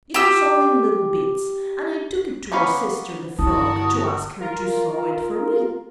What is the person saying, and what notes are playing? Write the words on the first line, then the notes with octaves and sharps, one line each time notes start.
'It was all in little bits, and I took it to our sister the frog to ask her to sew it for me.
G4 E6
A#3 B3 C#4 B4 F5
G1 E4 F#4 A#4 A5 D#6
F4 A#4